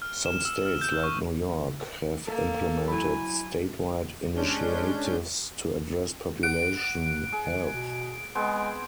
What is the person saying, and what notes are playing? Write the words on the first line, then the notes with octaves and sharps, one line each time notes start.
Some states, like New York, have implemented statewide initiatives to address population health.
F6
E7
E6
F6
G6
C#6
A#3 A4
F#3 E4 G#5 B5
G#3 C#4 D4 G6
F#5 D7
G#4
B2
G#3 B3 C4 G#4